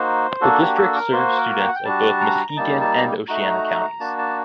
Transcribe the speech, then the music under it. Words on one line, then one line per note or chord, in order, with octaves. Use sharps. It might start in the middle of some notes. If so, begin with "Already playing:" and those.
The district serves students of both Muskegon and Oceana counties.
Already playing: A#3 D#4 F#4 C5
A#3 D4 F#4 A4
G4
A4
A#4
A#3 F#4 C5
A#4
G5
F#5
G5
G3 D4 F#4 A5
A#5
A#5
G3 A#3 D#4 A5
A5
A3 D#4 F#4 A#5
A#3 D4 F#4 A5
A5